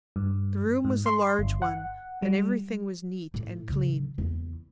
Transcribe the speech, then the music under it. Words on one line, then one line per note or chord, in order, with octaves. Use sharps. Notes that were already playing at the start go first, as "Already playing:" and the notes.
The room was a large one and everything was neat and clean.
G2
G#2
C6
G1
F#5
G3
A2
C#3 F#3
E2